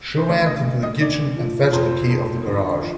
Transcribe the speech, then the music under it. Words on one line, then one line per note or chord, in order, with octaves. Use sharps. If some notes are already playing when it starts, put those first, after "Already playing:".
She went into the kitchen and fetched the key of the garage.
C5
D2 D5
D#5
D2
D#5
D3 D5
F3
F2 C5
F2
D3
F3